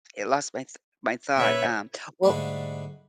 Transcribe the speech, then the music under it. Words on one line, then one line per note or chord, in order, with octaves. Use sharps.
I lost my th my thought, um, well
A#2 C#3 B4 C#5 E5
G#2 D3 G3 A3